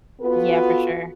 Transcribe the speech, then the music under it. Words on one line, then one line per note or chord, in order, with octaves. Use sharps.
Yeah, for sure.
B3 F4 F#4 A4 B4